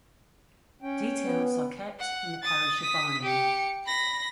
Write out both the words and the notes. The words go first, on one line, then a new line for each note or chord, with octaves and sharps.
Details are kept in the parish of Barningham.
C#4 G5
B3
F#5
D#6 A6
D#6 B6
G4 C#7
B5 A#6